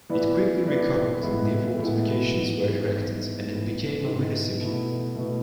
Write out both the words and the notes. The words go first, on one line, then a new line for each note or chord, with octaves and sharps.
It quickly recovered, new fortifications were erected, and it became a "municipium".
E3 B3 E4 B4 D5
E3 B3 E4 B4 D5
A2 E3 G#3 B3 E4
A2 E3 G#3 B3 E4
G#2 E3 B3
G#2 E3 B3
G#2 E3 B3
G#2 E3 B3
B2 A3 E4
B2 A3 E4